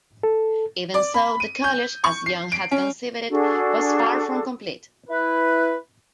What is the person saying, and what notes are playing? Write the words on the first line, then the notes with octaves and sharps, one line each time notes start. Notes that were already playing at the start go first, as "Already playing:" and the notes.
Even so, the college, as Young had conceived it, was far from complete.
A4
D5
B5
D#7
G6
C#6
C7
D7
C#4
D4 F#4 G#4 A4
E4 B4